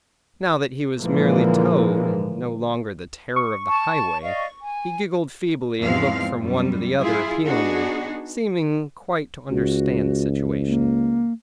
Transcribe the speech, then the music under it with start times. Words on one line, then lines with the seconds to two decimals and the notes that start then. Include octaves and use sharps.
Now that he was merely Toad, and no longer the Terror of the Highway, he giggled feebly and looked from one to the other appealingly, seeming quite to understand the situation.
0.99 A#2 D3 E3 F3 G#3 A#3
3.36 C#6
3.67 A5
4.22 D5 D#5 F5
4.60 G#5
5.82 E2 G#2 F3 G#3 C4 F5
6.38 F#2 G3
7.01 E4 F4 G#4
7.46 B3 D4 D#4 F#4 G#4
9.50 C#2 F#4
10.67 A#3